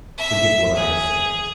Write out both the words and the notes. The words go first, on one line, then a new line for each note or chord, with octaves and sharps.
Forget what I have said.
E5
G#4